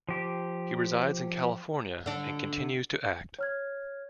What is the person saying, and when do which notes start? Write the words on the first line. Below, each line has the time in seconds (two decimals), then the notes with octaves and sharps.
He resides in California and continues to act.
0.09 F3 G4
2.06 D3 D4
3.39 C#5 F6 G#6